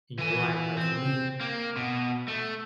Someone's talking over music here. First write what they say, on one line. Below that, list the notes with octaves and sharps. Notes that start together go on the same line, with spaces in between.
in your life, like, for me,
E3 G#5
C4
A#3
B2
A3